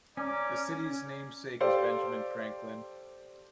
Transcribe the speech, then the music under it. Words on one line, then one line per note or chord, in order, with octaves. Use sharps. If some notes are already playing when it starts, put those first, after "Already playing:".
The city's namesake is Benjamin Franklin.
C#4 D5 A#5 D6
G4 A4 C5 D5 F5